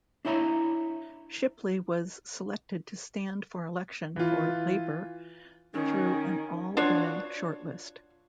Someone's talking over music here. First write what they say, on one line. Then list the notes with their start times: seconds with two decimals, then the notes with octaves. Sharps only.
Shipley was selected to stand for election for Labour through an all-women shortlist.
0.25 D4 E4 C#5 E5 A#5 B5
4.16 E3 F4
5.74 D#3 C#4 D#4
6.77 D4 F4 F#4 C#5